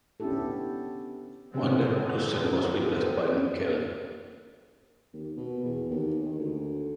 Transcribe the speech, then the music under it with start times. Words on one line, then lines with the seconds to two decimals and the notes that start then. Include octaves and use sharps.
Van der Dussen was replaced by Nick Kelly.
0.20 B3 C#4 D4 E4 G4 A4
1.52 D3 F3 F#3 G#3 B3 C4
5.13 D#2
5.37 B2
5.65 E2
5.90 D#2
6.25 D#3
6.39 D2